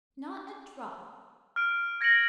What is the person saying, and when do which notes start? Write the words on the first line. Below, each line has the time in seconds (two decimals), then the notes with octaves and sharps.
'Not a drop.
1.56 F6 D7
2.01 G#6 A#6 C#7 D7 F#7